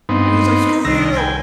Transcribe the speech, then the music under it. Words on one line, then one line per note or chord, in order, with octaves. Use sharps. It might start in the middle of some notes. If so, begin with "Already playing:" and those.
And he's, like, "Screw you!"
G2 B3 C4 D#4
C2 D#3 E6 A#6
G5 G#5